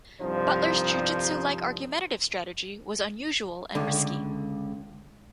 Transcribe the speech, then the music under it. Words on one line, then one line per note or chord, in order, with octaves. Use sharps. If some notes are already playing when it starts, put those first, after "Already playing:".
Butler's jiu-jitsu-like argumentative strategy was unusual and risky.
C2 G2 F3 C4 D#4 C5
C#2 D3